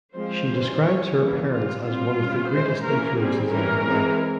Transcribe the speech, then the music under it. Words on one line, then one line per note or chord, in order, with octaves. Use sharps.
She describes her parents as one of the greatest influences in her life.
F3 G#3 C4 C5
E3 G3 C#4
G3 C#4 C#5
E3 G3 A#3 C#4
G3 C4 F4
G3 C4 F4
G3 C#4
E3 G#3 C#4 C5
E3 A#3 C#4 A#4
G3 C4 G#4
E3 G3 C#4 A#4
E3 G#3 C4